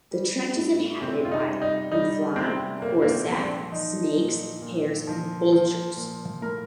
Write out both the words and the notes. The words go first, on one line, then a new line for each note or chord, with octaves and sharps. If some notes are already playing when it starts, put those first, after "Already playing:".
The trench is inhabited by mouflon, corsac, snakes, hares and vultures.
G3
A2
C3 C4
F4
D#4
G3
D#4
G3 D#4
C3 C4
A#2 A#3
A#3
C4
F3 C4
D4
F3 D#4
A#2
A#2
F3
F3
A#2
A2 A#4